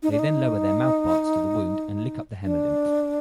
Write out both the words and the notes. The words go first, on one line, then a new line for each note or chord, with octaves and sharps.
They then lower their mouth parts to the wound and lick up the hemolymph.
D#4
D4
D#4
D4